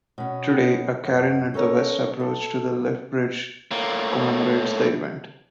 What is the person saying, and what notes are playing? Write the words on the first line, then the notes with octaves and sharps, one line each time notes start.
Today, a cairn at the west approach to the lift bridge commemorates the event.
B2 C#4
F#2
C#4 A4 A#4 C#5
A4
A2 A#3